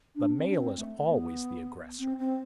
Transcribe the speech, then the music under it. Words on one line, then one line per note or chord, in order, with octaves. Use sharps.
The male is always the aggressor.
D4
C4
D4
C4
A3
B3
C4
C4